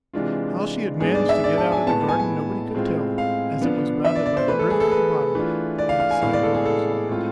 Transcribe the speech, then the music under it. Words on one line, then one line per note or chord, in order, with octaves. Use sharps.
How she had managed to get out of the garden nobody could tell, as it was bounded by the river at the bottom, and the side door was locked.
C3 E3 G#3 D4 F4
G#2 G#3 B3 D4 G#4
D5
E5
D5
A5
G#5
A2 G#3 B3 A5
G#5
G#5
A2 G#3 C4 F4
F5
D3 F3 B3 D4
E5
D5
D5
C5
E3 A3 E4 B4
A4
G#4
A4
B4
E3 A3 D4 F4
D5
F5
F5
G#5
A2 E3 G#3 B3 F5
D5
A4
G#4
A4
A2 G#3 C4 F4